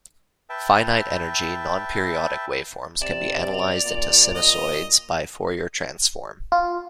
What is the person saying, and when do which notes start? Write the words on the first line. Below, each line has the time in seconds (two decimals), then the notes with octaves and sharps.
Finite-energy non-periodic waveforms can be analyzed into sinusoids by the Fourier transform.
0.50 B4 E5 G5 A5
3.02 C3 D5 E7
3.54 F7
3.84 A#2
4.35 D#5
6.52 F4